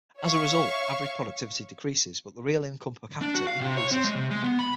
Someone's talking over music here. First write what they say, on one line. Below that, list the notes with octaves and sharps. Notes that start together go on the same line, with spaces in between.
As a result, average productivity decreases but the real income per capita increases.
C#5 E5 F5 C#6
D4
F#4
F5
C3
C#5
C4
G#3
C3
G#3
B3
B5